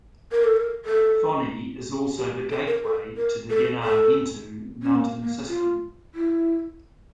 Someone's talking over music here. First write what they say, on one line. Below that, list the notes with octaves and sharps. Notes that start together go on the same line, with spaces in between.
Fonni is also the gateway to the Gennargentu mountain system.
A#4
A4
A#4
A4
G4
G4
A4
A#4
A4
A#4
A4
A4
C#4
A#3
A#3
F4
E4